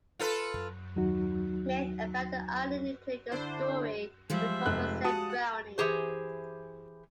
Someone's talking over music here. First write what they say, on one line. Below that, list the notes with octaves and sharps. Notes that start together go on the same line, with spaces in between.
Myths about the island include the story of the Copinsay Brownie.
F4 A4 B4
D#2 F#3 D#4 F#4
D3 D4 E4 C5
F3 G3 G#3 C5 E5
F1 F#6
F#4 F#5 A5 D#6
E3 G4 G#4 C5